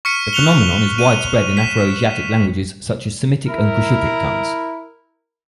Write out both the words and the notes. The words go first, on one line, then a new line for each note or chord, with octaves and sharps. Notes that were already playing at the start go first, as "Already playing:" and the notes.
The phenomenon is widespread in Afroasiatic languages such as Semitic and Cushitic tongues.
C#6 F6 B6 C#7 D#7
F#6 C#7 F7 G7
D#7
B6 E7
E4 A#4